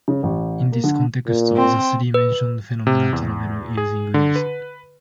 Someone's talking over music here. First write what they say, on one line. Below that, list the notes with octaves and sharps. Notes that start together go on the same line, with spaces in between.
In this context, the three mentioned phenomena travel using waves.
C#3
A1
A#3
D3
A#2
C4
B4
C3
E2
G#4
D3
B4